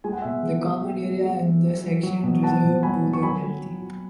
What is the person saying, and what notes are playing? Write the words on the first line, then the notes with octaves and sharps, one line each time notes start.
The common area and the section reserved to the wealthy.
G#3 G#5
F#5
B2 E5 G#5
G#3
G#3
G#3
G#3
G#3
G#3
F#3
F#3
F#3
B2
F#3 F#5 A5
B2
F#3 G#5 B5
F#3
C#6
F#3 G#5 B5
F#3
F#3
F#3